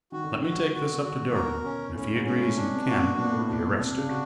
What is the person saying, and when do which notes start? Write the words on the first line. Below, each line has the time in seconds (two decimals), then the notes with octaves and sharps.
"Let me take this up to Durham, and if he agrees you can be arrested."
0.12 D#3 F#4
0.24 D3
0.33 D#3
0.42 F#4
0.73 D#3 F#4
0.93 D3
1.04 F#4
1.34 B2 A#4
1.65 C#4
1.95 A2 C#4
2.15 G#2
2.25 C#4
2.36 A2
2.55 C3 D4
2.76 B2
2.87 B2 F#4
2.96 A#2
3.16 B2 D4
3.24 A#2
3.32 A2
3.39 A#2
3.48 B2 D4
3.77 C3 D4
3.97 C#3
4.08 F#4